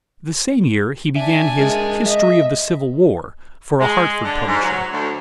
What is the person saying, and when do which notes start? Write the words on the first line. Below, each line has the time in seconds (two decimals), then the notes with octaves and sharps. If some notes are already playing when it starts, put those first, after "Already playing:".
The same year he began his "History of the Civil War" for a Hartford publisher.
1.16 D4 E5 G#5
1.59 G#3 A#4 E5
2.06 D#5 E5
3.80 G#3
4.24 D3
4.48 G#2
4.62 F#3
4.91 D2